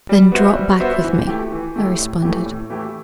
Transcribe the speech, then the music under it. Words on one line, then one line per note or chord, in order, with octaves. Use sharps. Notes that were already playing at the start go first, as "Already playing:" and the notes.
"Then drop back with me," I responded.
G3
B3 F#4 C5 E5
G3
B3 F#4 C5 E5
E3
A3 E4 G4
E3
A3 E4 G4
A2
E3 A3 E4 G4
A2
E3 A3 E4 G4